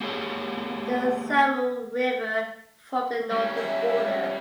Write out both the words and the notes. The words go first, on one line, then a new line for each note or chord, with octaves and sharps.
The Samur river formed the northern border.
A#3 G4 G#4 C#5
G3 C#4
E5